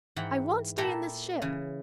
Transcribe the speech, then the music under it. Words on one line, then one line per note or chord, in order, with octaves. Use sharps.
I won't stay in this ship!
G#2 E3 F#5 G5
A#2 E4 A4 E5 G5 A#5
C#3 E3